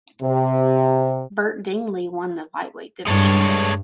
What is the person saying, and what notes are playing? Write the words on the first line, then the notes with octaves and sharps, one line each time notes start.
Bert Dingley won the lightweight division.
C3
G2 G#3 A4 C#5